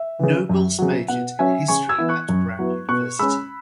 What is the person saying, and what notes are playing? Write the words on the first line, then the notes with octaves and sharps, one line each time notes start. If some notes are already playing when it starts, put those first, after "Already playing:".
Nobles majored in history at Brown University.
Already playing: E5
C#3 E3
F#2
C#3 F#3
B2 F#5
F#3 C#4 E5 G#5
C#3 G#5 C#6
E6 G#6
E3 B3 E4
C#6 F#6
F#2
F#3 B3 E4
B2 C#6 F#6
G#3 C#4 B5 E6